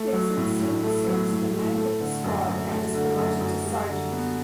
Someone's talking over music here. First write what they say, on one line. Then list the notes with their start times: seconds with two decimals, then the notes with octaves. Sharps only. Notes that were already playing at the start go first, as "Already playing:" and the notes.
Dixon soon assumes command of the squad and is promoted to sergeant.
Already playing: A3
0.13 F#3
0.37 A2
0.60 A2
0.83 A3
1.07 F#3
1.30 A2
1.53 A2
1.78 A3
2.00 D3
2.24 F#2
2.47 F#2
2.71 A3
2.95 D3
3.18 F#2
3.41 F#2
3.65 G3
3.88 D3
4.12 B3